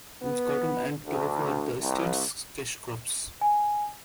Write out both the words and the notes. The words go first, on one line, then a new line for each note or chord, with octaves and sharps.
Cotton and tobacco are the state's cash crops.
B3
D2
C2
G#5